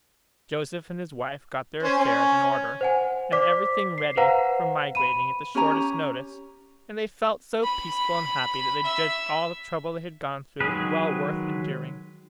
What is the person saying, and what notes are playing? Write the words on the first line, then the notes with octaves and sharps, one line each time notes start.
Joseph and his wife got their affairs in order, and everything ready for migrating at the shortest notice; and they felt so peaceful and happy that they judged all the trouble they had gone through well worth enduring.
C#4 C5
C#4
C5 F#5 G#5
C5 D5 D6 B6
C7
B4 C5 F5 F#5 A#5
B5 D#7
C#4 G4 G#5 A#5
B5
E5
D#3 F#3 G#3 G#4 B4